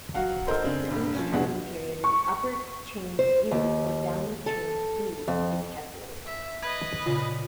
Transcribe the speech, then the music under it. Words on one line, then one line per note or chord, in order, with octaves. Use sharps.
For each trading period an upward change "U" or downward change "D" is calculated.
F#3 F#4 F5 F#5
D#4 A4 A#4 C5 D#5 C6
C#3 C4 D4
E1 G2
F3 C#4
F1 E2 B2 D4 F#5
C#6
C5
D#2
A4
F2
E5
B4 D#5 G#6
A#2 C#3 F4